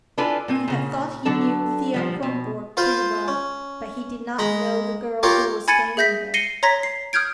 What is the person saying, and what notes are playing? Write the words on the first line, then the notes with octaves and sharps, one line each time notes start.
He had thought he knew Thea Kronborg pretty well, but he did not know the girl who was standing there.
D4 E4 F4 A4 B4 G#5
A#2 C4 G#5
A#2 C#3 C#4
D3 F#3 D4 A4 A5
A#2 F3 G3
B2
F4 B4 C5 F5
C#4
G#3 A#5 B5
F4 G4 A#4 C#5 F5
G#5 B5 G#6 A6 C#7 D#7
G#4 E5 G6 A#6 B6
A#6 C7 C#7 D#7 G7
C#5 A#5 C6 G#6 A#6 B6
C7
D#6 F6 G6 G#6 D7